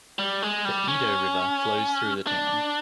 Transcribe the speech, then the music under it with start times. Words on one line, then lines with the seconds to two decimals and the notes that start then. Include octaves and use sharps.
The Edo River flows through the town.
0.19 G3
0.43 G#3
0.65 G3
0.88 C#4
2.27 D4